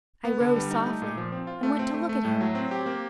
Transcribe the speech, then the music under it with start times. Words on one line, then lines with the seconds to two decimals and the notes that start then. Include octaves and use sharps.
I rose softly, and went to look at him.
0.25 B3
0.40 D3
0.56 G3
0.71 D#4
0.86 A3
1.02 A#2
1.17 F3
1.32 C4
1.47 F4
1.63 A3
1.79 C4
1.94 A3
2.09 A3
2.24 A2
2.41 F#3
2.55 C4
2.71 G4
2.86 A#3